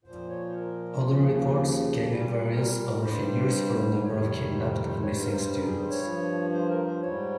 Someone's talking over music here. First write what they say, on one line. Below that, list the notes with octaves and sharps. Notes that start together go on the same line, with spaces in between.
Other reports gave various other figures for the number of kidnapped and missing students.
A#2 F3 C5
C#5
C5
A#4
D#2 C#3 F3
A#2 G3
A#4
G2 G3 C5
F2 C3 D#3 G3 C#5
C5
A#4
C5
G2 G3 C#5
C5
A#4
C5
A#4
G#4
C5
C#5
G2 F3
C5
A#4
C5
G#2 G3 C#5